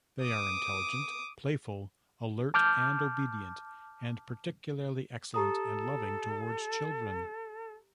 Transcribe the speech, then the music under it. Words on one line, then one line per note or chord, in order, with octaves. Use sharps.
They are intelligent, playful, alert, and obedient, and particularly excellent and loving toward children.
D6 D#6
A5 D6 F6 G6
G4 A4 A#5 D#6